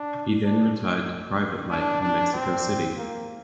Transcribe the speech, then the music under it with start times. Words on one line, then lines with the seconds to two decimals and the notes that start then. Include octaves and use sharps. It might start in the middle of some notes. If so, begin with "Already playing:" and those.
He then retired to private life in Mexico City.
Already playing: D4
0.44 D4
1.70 D4
2.02 D4
2.33 C4
2.97 A#3